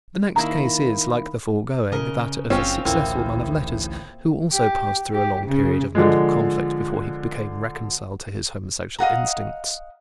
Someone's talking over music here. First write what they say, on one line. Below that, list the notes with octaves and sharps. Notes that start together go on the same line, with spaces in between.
The next case is, like the foregoing, that of a successful man of letters who also passed through a long period of mental conflict before he became reconciled to his homosexual instincts.
D#3 A#3 E4 A#5
C#3 A#4 D#5
F#1 C4 C#4 F4
A1 D2 A2 A#3 C4
G4
G4
C#3
D3 F3 G#3
D#5 F5 F#5 A#5